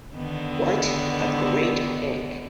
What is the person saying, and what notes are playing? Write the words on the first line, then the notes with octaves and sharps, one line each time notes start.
What a great pic!
D3 D#3 B3